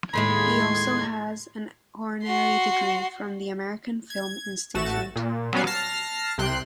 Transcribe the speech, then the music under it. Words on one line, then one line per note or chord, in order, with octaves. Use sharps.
He also has an honorary degree from the American Film Institute.
D#2 A2 G#3 B5 C6 G#6
F#4 C6
G#6
A1 A3 F#4 A6 E7
A#2
F#3 G3 B3 C#4 F#4 F5
A5 F6 A#6 C7
C2 C3 G5 C6 F#6